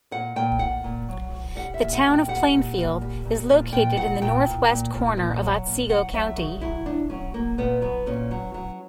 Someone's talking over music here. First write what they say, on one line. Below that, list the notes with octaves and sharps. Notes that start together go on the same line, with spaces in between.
The Town of Plainfield is located in the northwest corner of Otsego County.
A#2 F#5
A#2 G5
A#2 F#5
A#2
F#3
F#3
G3 F#5
E5
A#2
F#5
A#2
G5
G3 F#5
A#2
A#2
G3
A#2
A#2
A#2 G5
A#2 F#5
A#2 G5
A#2
A#2
A#2
A#2
F#3
A#2
F#3 F#5
F#3 E5
C#3 F#4
F#3 E4
C#3 D4
F#3 C#4
F#3 A#3
A#2 B3
F#3 B3
A#2 C#4
F#3
F#3